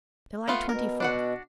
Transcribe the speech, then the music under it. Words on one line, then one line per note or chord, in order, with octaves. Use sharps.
July Twenty-fourth.
A3 B3 F4
B2 A#4
D4 F#4 F#5